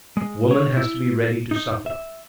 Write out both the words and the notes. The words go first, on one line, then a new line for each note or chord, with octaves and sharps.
Woman has to be ready to suffer.
G#3
C#5
E4
D#4
E5